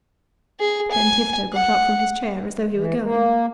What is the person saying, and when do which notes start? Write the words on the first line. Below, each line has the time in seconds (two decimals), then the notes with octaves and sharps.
Then Tifto got up from his chair, as though he were going.
0.60 G#4
0.91 G#5
1.53 F#5
2.74 E3
3.01 A#3